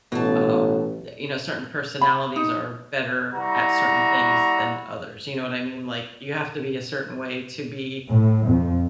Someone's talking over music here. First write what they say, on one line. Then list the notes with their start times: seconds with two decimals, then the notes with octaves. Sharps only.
um, that, you know, certain personalities are better at certain things than others, you know what I mean? Like, you have to be a certain way to be,
0.12 A1 B2 A5
2.01 B5
2.36 D#4
3.34 G3 E4 F#4 A#5
8.10 A2
8.47 F2